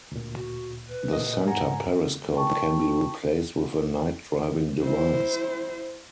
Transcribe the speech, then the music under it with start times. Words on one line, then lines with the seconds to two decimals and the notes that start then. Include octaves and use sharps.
The centre periscope can be replaced with a night driving device.
0.12 D2 A#2
0.35 F#4
0.88 B4
1.13 A#2 D#5
1.46 G#2 F#5 G#5 A#5
2.36 G5 A5 C#6
4.83 E4 C5